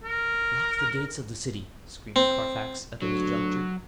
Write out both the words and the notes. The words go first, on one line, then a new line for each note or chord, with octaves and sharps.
"Lock the gates of the city," screamed Carfax, at this juncture.
A#4
C4
D2 F#3